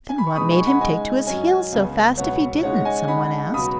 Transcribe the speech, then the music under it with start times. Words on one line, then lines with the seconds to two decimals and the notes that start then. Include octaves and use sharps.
"Then what made him take to his heels so fast if he didn't?" some one asked.
0.09 G#5
0.18 B5
0.27 C#6
0.36 B2 G#3 B3 D#4 B5 D#6
0.51 G#5 C#6
0.66 F#5 B5
0.81 C#3 G#3 D#4 D#5 G#5
1.27 F#2 F#3 C#4 D#5 G#5
1.72 C#2 C#3 B3
2.17 C#2 B2 F#3 B3 C#5 F#5
2.63 C#3 G#3 D#4 C#5 F#5
2.85 D#5 G#5
3.08 C#3 G#3 D#4 F#5 B5
3.54 C#2 B2 F#3 B5 D#6